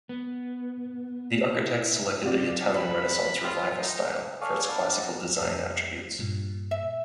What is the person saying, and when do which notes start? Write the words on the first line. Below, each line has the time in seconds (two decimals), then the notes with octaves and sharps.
The architects selected the Italian Renaissance Revival style for its classical design attributes.
0.09 B3
1.55 E4
2.24 C3 F4 D5
2.74 B5
3.44 F4 G5
3.78 D#4
4.41 A4 C#5 D5 F5 G#5
4.68 B3 D4 D5 F5 A5
5.00 A#5
5.41 F2 G3
6.19 G2 A#2
6.71 E5